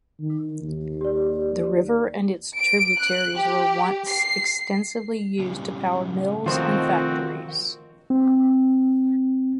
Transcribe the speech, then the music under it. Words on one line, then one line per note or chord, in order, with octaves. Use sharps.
The river and its tributaries were once extensively used to power mills and factories.
D#3
D#2
G4 D5
D7
F#6
G4
C7
A#2 C#3 G3
D#3 F3 A3 C4 F4 F#4 C5
C4